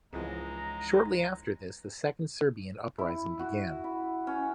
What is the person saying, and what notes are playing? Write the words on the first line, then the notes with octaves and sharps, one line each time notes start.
Shortly after this, the Second Serbian Uprising began.
C#2 G#2 E3 F3 G#3 A#5
E4
F#4
E4
C#4